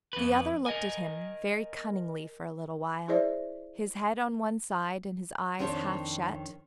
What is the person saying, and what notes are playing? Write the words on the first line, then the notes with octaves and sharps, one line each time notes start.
The other looked at him very cunningly for a little while, his head on one side, and his eyes half shut.
F2 B4
A#4 D#5 G#5
E4 G#4 C5 D5 E5
F2 D#3 C4 D4 C#5 A5